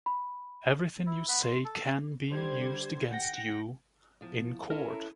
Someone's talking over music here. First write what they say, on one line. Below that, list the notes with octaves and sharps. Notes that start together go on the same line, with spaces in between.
Everything you say can be used against you in court.
B5
E4
B3 B4
C6
A4
D3 G3 C5 G#6
F#5 G5 A#6
E2 F3
C#4 E4 A4 A#4